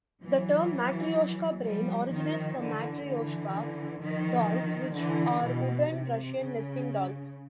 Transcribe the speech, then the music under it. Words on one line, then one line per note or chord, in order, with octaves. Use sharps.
The term "matrioshka brain" originates from matryoshka dolls, which are wooden Russian nesting dolls.
E3 F#3
F3 G3
D#3 F3
D3 E3
D3 E3
D#3 F3
D3 E3
B2
C3
C#3